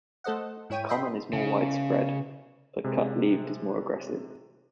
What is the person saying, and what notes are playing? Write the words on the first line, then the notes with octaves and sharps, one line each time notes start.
Common is more widespread, but cut-leaved is more aggressive.
A3 A4 C5 D#5 F#5
G#2 E4 C#5 G5 D#7
D#5 E5 G5 B5 C6
C#3
C3 G#3